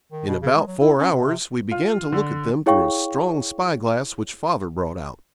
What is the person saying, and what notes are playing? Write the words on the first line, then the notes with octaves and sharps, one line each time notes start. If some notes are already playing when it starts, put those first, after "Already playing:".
In about four hours we began to look at them through a strong spyglass which father brought out.
D#3
B2
C#3
G#3
F#3
E4
C#4
C3
C3
F4
D3
E4 G#4 C#5 F5 G5 C#6